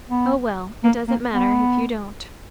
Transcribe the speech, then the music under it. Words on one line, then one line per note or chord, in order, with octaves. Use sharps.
"Oh, well--it doesn't matter--if you don't."
B3
A#3
A#3
B3